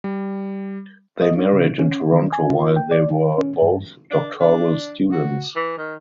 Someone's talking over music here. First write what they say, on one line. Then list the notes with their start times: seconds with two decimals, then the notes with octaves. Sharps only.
They married in Toronto while they were both doctoral students.
0.04 G3
1.22 D#5
1.37 D4
1.53 C#3
1.79 C#4
2.13 D#3
2.33 G#5
2.50 F4
2.76 G5
2.91 D5
3.11 D#3
3.38 C#4
3.62 G2
4.11 D4
4.40 D4
5.12 F#4
5.56 E3
5.78 D#3